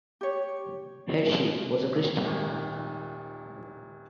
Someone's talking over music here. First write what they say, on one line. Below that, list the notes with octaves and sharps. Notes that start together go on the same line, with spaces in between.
Hershey was a Christian.
G4 C#5
D#1 G#1 A#2 D#3